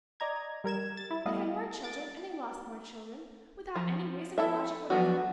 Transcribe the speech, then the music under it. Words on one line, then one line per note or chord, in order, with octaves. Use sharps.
They had more children, and they lost more children,--without any reason or logic whatever.
D5 D#5 A#5 G#6
G3 A#4 G#6 E7
A6
E4
G3 A3 B3 E4 D#5 F5
A6 D7
F3
E4 A4 E5
F3 F#3 B3 D4 F#4